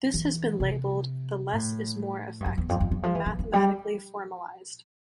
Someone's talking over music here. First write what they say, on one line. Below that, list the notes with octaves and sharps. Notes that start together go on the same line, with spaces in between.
This has been labeled the "less-is-more effect" and mathematically formalized.
E3
C3
A2
G2
F2
E2
F2
F2
E3
F3
E3
E3
E3
G3